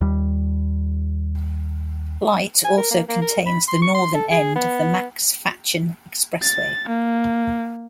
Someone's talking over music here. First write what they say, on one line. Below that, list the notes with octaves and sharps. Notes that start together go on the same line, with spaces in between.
Light also contains the northern end of the Max Fatchen Expressway.
D#2 G3
G#5
A#4
A#3
A#3
A#4
B5
C6
C#6
C6
A4
G#4
B3
A6
A#3